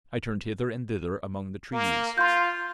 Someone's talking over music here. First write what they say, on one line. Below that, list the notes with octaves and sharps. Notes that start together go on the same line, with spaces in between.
I turned hither and thither among the trees.
A#3
F4 C6 G6